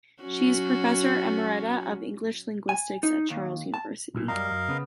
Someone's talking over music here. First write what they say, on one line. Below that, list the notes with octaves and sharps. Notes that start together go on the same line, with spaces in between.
She is Professor Emerita of English Linguistics at Charles University.
F#3 C#4 F#4
G#5
D#4
D#2
A5
B1 A#2
F#2 G3 A#4 D#5 F5 A#5
F#2
C#3 B3